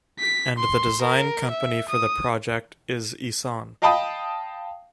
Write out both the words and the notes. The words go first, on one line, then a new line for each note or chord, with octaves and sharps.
And the design company for the project is Isan.
B6
C6
A#4
E5
D#6
D#5 F5 G5 A5 B5 D#6